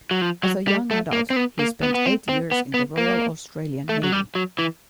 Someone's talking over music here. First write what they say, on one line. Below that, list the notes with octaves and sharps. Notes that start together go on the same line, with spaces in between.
As a young adult, he spent eight years in the Royal Australian Navy.
F#3
F3
F#3
G3
A3
A#3
C4
B3
A#3
B3
B3
C4
C4
B3
B3
A#3
A3
F#3
G3
F#3
E3